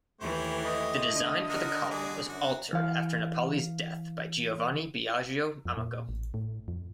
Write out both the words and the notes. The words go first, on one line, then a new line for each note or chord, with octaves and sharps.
The design for the column was altered after Napoli's death by Giovanni Biagio Amico.
D#2 E3 A3 G4 C5 C#5
D#5
D3
F#4 A#4
G3 F#4 G#4 D5
F#2 F#4
E3 F5
F2
A#2
A1
A2
F2